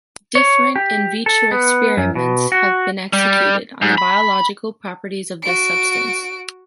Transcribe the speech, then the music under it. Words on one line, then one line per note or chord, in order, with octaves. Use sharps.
Different “in vitro” experiments have been executed, on the biological properties of this substance.
C#5
G4
A4
B3
F#2
B2
F#4
G3
G#2
B5
F#4 D7